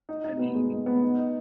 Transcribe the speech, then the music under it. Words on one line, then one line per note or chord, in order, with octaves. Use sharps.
I mean
D#4
D#4
B3
G#3
D#4
B3
D#4
D#4